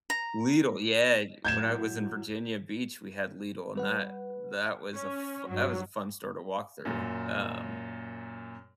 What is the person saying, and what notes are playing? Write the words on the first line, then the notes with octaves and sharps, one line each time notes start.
Lidl, yeah, when I was in Virginia Beach, we had Lidl and that that was a f that was a fun store to walk through, um
A#5
A2 F#3 G6 G#6 E7
G3 B4 F#5
C#4
G2 F#3
F#2 A#2